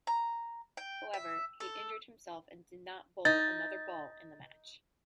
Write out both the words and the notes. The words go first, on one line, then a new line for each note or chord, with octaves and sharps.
However, he injured himself and did not bowl another ball in the match.
A#5
G5
E5
A4
D#4 A6